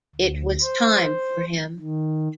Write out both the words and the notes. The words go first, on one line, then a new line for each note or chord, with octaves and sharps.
It was time for him.
D2
C5
D#3